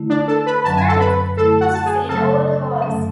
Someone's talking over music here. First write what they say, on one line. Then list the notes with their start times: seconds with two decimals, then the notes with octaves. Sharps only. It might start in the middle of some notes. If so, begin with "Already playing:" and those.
At night it roosts in old holes.
Already playing: D3 A3 E4
0.10 D4 D5
0.28 A4 A5
0.46 B4 B5
0.64 F#2 D3 F#3 C#4 A5
0.76 G#5
0.88 A4 A5
1.00 B4 B5
1.36 D3 A3 E4 A4 A5
1.61 F#4 F#5
1.74 A5
1.86 G#4 G#5
2.09 C#3 F#3 A3 A4 A5
2.82 F#2 D3 F#3 A3 C#4